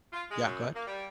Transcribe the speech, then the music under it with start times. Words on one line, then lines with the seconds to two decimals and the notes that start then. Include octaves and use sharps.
Yeah, go ahead.
0.13 F4
0.30 G#3
0.44 F#2
0.75 A#3
0.87 G3